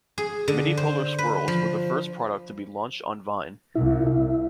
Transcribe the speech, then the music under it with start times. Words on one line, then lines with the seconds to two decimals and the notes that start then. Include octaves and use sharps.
Mini Polar Swirls were the first product to be launched on Vine.
0.18 G#4
0.48 D3
0.77 C5
1.18 B4
1.48 F3
3.75 C2 E4
4.07 E4